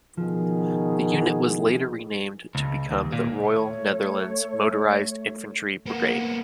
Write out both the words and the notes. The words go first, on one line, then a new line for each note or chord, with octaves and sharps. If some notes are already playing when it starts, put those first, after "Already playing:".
The unit was later renamed to become the Royal Netherlands Motorized Infantry Brigade.
B2 D#3 F3 G#4
C#2
D#2
A#2
A3 C#5
A#3 B3